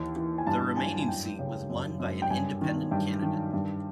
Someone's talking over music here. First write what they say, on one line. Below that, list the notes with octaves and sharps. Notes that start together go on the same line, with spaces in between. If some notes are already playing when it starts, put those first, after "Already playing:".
The remaining seat was won by an independent candidate.
Already playing: D#2 E3
E3
G#5
G2 A5
G2 G#5
G#5
F#2 G5
C#3
F#2
F#2
G5
G2 G#5
D#3
G2 G5
D#3
G2